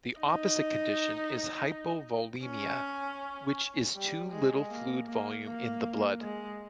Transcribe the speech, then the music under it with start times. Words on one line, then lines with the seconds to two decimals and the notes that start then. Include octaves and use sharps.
The opposite condition is hypovolemia, which is too little fluid volume in the blood.
0.19 D#4
2.44 C#4
3.95 G3
4.32 G#3
4.70 A#3
5.07 A#3
5.45 A#3
6.21 G#3